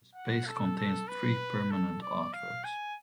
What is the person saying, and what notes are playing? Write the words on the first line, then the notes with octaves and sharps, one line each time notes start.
The space contains three permanent artworks.
F#5
A4
A4
B4
A4
D5
F5
G#5